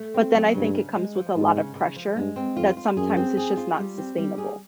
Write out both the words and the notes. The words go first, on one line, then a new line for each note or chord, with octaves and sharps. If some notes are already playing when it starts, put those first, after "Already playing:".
but then I think it comes with a lot of pressure that sometimes it's just not sustainable.
Already playing: A3
C4
F#3
G2 C#3
C#3
G#3
F3
G#2 F3
C#3
C#3
F3
G2 G#3
C4
F2 F4
F4
F#2 G#4
C4
G#4
F4
G3
C4
G3
G#4